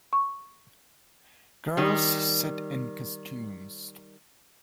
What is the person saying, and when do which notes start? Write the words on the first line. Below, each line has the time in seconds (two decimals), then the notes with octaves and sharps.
Girls sit in costumes.
0.13 C#6
1.77 D#3 G3